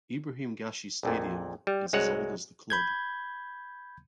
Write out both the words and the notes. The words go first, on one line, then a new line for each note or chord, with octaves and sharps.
Ibrahim Gashi stadium is as old as the club.
A#1 F2 A#2
G3
C2 G#3 F#4 C#5 F#5
B5 G6 G#6